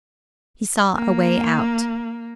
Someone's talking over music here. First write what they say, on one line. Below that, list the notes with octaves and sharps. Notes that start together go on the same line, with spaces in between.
He saw a way out.
A#3